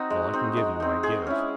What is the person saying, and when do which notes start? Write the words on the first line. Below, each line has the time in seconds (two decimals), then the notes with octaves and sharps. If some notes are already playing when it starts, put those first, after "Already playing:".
All I can give you I give.
Already playing: C4 D#4 F#4
0.10 G#3
0.33 C4 D#4
0.57 G#3
0.80 C4 D#4
1.03 G#3 G#4
1.27 C#4 E4